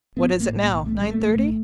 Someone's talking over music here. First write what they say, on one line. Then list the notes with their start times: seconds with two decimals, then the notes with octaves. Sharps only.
What is it now--nine thirty?
0.16 G#1 B3
0.39 A2 A#3
0.63 B1 A#3
0.86 A1 A3
0.97 G3
1.09 A1 A3
1.20 A3
1.32 B1 A3